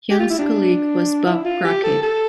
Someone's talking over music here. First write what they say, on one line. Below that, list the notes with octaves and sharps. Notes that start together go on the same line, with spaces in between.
Young's colleague was Bob Crockett.
G4
F4
E4
D4
E4
F4
G4
A4
A4